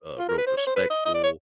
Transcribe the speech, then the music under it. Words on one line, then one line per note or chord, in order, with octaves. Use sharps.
uh, real respectful,
F4
A#4
B4
C5
C#5
C5
B4
D#5
D#5
D5
C#5